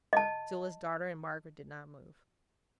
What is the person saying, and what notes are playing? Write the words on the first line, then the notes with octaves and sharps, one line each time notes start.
Still his daughter and Margaret did not move.
D#5 A5